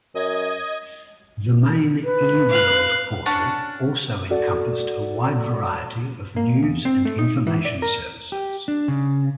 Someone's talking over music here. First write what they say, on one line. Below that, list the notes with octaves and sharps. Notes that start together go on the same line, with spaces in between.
The main eWorld portal also encompassed a wide variety of news and information services.
F#2 D#5 D#6 G#6
B4
F5 F#6
C#4 D4 F#5 A5
F#4 A4 D5 F#5
A#3
E2
C4
A3
D#4
E3
D5
A#4
G4
D4
C#3